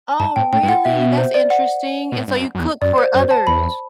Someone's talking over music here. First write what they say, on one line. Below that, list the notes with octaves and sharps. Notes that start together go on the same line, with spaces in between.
Oh, really? That's interesting, and so you cook for others.
G2 A5
A2 G5
A2 G5
G2
A2 F#5
B2 E5
E5
C5
D5
F#5
B2
A2
G2
F#2
F#2
E2
F#2 D5
C5
F#2 C5
A5
E2 B5